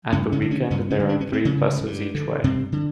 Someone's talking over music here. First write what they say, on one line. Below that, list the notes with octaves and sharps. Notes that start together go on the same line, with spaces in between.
At the weekend there are three buses each way.
G2 C#3 C#4
C#3 C#4
D3
C#3 C#4
G2 C#3 C#4
C#3 C#4
D3
D4
C#4
G2
C4
C#3 C#4
D3
G2
D3
G2 C3 C4
D3